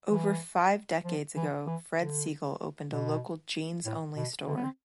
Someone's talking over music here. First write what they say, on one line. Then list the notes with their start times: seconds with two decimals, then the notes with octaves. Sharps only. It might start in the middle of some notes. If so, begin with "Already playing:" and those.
Over five decades ago, Fred Segal opened a local jeans-only store.
0.10 E3
1.05 F3
1.36 E3
1.66 E3
1.98 D3
2.92 B2
3.85 A2
4.16 B2
4.47 D3
4.56 B3
4.64 C4